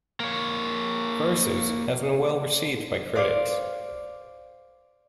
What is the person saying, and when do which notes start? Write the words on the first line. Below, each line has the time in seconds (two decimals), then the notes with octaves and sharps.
"Versus" has been well received by critics.
0.20 A#3 C#5
3.15 C5 D5 F5 D6